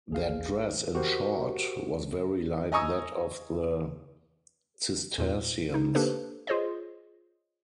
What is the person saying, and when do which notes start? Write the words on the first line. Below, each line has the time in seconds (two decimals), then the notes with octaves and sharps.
Their dress in short was very like that of the Cistercians.
0.10 A#1 G#4 F5
0.95 F#4 G4 A#4 C5
2.72 D#5 G#5 A#5 C#6 D#6 E6
5.18 E2 A#2
5.74 D#4
5.95 A#3 D4 G4 A4 B4 C5
6.47 F4 G#4 C5 C#5 D#5